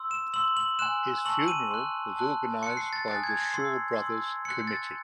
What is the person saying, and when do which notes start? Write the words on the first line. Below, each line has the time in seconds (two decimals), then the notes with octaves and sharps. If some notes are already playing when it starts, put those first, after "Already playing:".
His funeral was organised by the Shaw Brothers committee.
Already playing: C6 E6
0.11 E7
0.34 C6 E6 F#7
0.57 F#7
0.79 G#5 C6 F#6 E7
1.25 A5 C#6 E6 F#7
1.48 D#7
1.71 C6 F#6
2.16 A5 C6 F#6
2.62 C6 C#7
2.67 F#6
2.77 C7
2.93 A6
3.08 G#5 D#6 F#6 A6
3.24 G#6
3.38 A6
3.54 C6 E6 C7
3.99 C6 E6
4.45 C6 C#7
4.49 F#6
4.67 A6